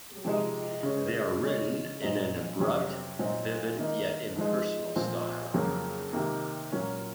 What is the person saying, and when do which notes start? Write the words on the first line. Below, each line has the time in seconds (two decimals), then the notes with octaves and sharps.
They are written in an abrupt, vivid, yet impersonal style.
0.25 C3 F3 G#3 D#4
0.83 C#3 G#3 C#4
1.42 C#3 G#3 C#4
2.02 A#2 F#3 C4 D#4
2.60 F2 C3 F#3 C#4
3.19 A#2 F#3 C4 D#4
3.78 D#3 A#3 D#4
4.36 G#2 F3 G#3
4.96 A#2 F3 C4
5.54 F2 C#3 F#3 A#3
6.13 C3 D#3 A#3
6.72 A#2 F#3 A#3 C#4